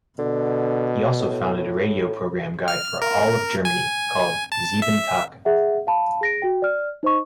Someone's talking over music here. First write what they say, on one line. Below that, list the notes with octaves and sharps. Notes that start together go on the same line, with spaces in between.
He also founded a radio programme guide for all of Germany, called "Sieben Tage".
B2 D3
A2
F6
A#4
G#5
A5
E5
G#4 E5 F#5
F5 A5 B5
G#4 A#6 D7
F#4 G5
D5 F6
D#4 C5 D#5 C#6